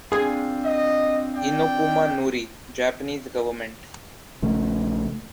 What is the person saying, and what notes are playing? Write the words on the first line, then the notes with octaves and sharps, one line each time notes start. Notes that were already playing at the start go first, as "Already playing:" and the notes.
Inokuma Nori, Japanese government.
C4 D4 F4 G#4
D#5
D5 G5
A#1 C#3 A3